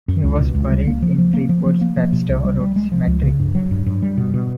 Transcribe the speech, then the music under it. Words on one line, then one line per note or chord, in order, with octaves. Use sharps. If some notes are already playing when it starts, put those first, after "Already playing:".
He was buried in Freeport's Webster Road Cemetery.
F#2
C#2
B2
C#2
G3
A#3
F3
F3
A#3
F3
F3
A#3
F3
B2
C2
G3
G3
G#3
F3
C#2
C#3
G2
F#3
G2
G2
G3
B2
B2